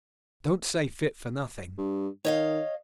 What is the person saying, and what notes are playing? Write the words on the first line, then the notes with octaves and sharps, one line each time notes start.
"Don't say fit for nothing."
G2
D#3 C#5 D#5 F5